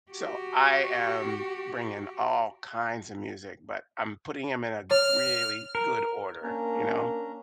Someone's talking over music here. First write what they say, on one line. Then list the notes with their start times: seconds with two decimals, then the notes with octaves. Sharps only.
So I am bringing all kinds of music, but I'm putting 'em in a really good order, you know?
0.11 F#4 G4
4.91 C#5 F6
5.75 A#4
6.43 A#3 C#4 D4 A#5